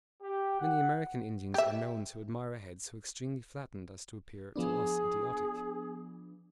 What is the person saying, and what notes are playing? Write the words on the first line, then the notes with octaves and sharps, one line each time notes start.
Many American Indians are known to admire a head so extremely flattened as to appear to us idiotic.
G4
F#5
G4 E5
F3 B3 D4 G#4